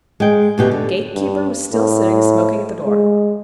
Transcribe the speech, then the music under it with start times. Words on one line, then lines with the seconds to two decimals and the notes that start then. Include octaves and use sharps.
The gatekeeper was still sitting smoking at the door.
0.20 G#3 G5
0.58 D2 B2 G4
0.71 D3
1.14 G2
1.72 A2
2.85 G#3